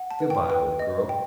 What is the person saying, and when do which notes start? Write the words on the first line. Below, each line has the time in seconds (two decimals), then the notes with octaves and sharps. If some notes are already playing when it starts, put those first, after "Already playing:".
'Goodbye, old girl.
Already playing: F#5
0.11 A5
0.20 B4
0.30 G5
0.50 B4 G5
0.79 D#5
1.09 G5